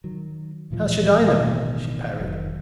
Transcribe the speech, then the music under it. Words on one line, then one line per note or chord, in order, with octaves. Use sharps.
"How should I know?" she parried.
D#3 F#3
D1 A#2 E3 F3
A1 B2 D#3
F1 D#3 F#3